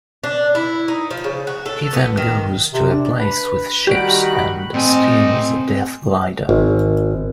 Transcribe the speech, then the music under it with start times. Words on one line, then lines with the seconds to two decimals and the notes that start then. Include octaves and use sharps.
He then goes to a place with ships and steals a Death glider.
0.24 D4
0.55 E4
0.88 D#4
1.11 F3
1.24 C#3
1.47 F#4
1.66 A4
1.93 B3
2.17 D#3
2.72 C3
2.91 D4
3.19 B4
3.87 D#3 G3 F#4 G4 B5 F#6 D7
4.74 A2 C4 D#5 G#5
5.26 C4
6.49 G#1